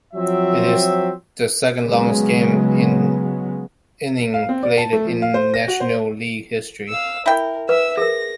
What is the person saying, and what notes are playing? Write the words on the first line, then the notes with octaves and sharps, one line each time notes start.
It is the second longest game in innings played in National League history.
F3 F#3 C4 E5
C#3 F#3 G#3 B3
F5
C4
D5
A5
A3
F3
F5
C5
A#6
F#4
C5
F5 E6
E4 A#4 G5
B4 E5 E6
G#4 A#4 A#6